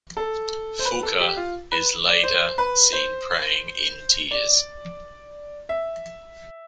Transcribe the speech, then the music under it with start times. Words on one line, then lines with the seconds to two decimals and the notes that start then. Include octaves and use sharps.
Fuka is later seen praying in tears.
0.17 A4
0.79 C5
0.85 B4
1.03 A4
1.20 G4
1.37 F4
1.72 B4
2.07 D5
2.23 C5
2.58 B4
2.93 C5
4.31 D5
5.69 E5